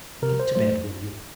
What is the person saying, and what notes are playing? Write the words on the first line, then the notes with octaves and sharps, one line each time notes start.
Get to bed, will you?
C3 A#4
C5
F#3 A3 C5